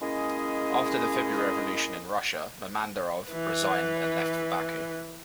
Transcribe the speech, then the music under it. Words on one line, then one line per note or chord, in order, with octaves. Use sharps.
After the February Revolution in Russia Mehmandarov resigned and left for Baku.
G#3 A#3 C#4 E4 G#4 D#5
E3 B4